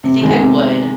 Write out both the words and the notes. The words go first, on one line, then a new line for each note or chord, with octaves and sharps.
I think I would,
C3
D#3 G#3 B3
C3